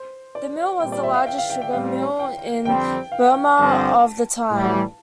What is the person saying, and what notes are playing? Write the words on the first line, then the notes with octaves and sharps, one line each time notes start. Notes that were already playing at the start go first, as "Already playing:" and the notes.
The mill was the largest sugar mill in Burma of the time.
Already playing: C5
D5
A#2 G3 C4 G5
D5
E5
F5
G5
F5
G5
G5
A2 G3 C4 F5
G5
F2 D3 G3 C4 G5
F5
G5
G2 D3 F3 C4 A5
A2 E3 G3